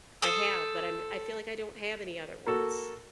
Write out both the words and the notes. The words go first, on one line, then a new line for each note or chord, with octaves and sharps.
I have, but I'm I feel like I don't have any other ones,
A4 C5 D#6
A#3 F#4 A4